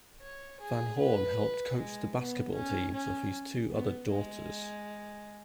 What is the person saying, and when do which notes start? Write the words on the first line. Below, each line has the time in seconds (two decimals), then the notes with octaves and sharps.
Van Horn helped coach the basketball teams of his two other daughters.
0.21 C#5
0.60 G#4
0.98 B4
1.77 G#3
2.16 B3
2.54 C#4
2.93 C#4
3.71 B3
4.10 G#3